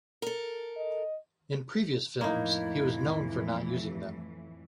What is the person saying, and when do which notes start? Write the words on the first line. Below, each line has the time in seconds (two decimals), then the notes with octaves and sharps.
In previous films, he was known for not using them.
0.22 A4 A#4
0.77 D#5
2.21 F2 A2 E3 A#3 D#4 E4